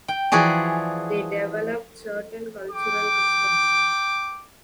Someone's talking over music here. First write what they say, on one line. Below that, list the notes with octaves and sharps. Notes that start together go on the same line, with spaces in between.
They developed certain cultural customs.
G5
E3 F3 F#4 G#4 D5
G5 D6